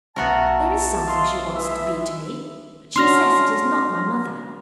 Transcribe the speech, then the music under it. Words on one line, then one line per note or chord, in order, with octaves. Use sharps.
There is something she wants to be to me, but she says it is not my mother.'
B1 B3 F#4 A#4 E5 G#5 A5
F4 D#5 C6
E3 G#3 E5
C#4 D4 F#4 C6 F6 A#6